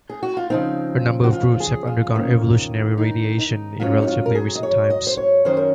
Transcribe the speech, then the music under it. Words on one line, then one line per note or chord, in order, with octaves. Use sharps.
A number of groups have undergone evolutionary radiation in relatively recent times.
G#4
F#4
F4
C#3 F3 C4 D#4
F#4
F4
G#4
F4
C3 D#3 A#3 C#4
D#4
D#4
G#2 F#3 C#4 F4
D#4
F4
A#4
G#4
D#5
C#5
D#5
C5
C#5
F#2 D#3 F#3 C#4 C5
A#4